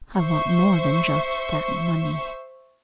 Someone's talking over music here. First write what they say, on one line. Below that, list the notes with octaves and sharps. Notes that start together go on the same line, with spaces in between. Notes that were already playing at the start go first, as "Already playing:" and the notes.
I want more than just that money.
C5 E5 C#6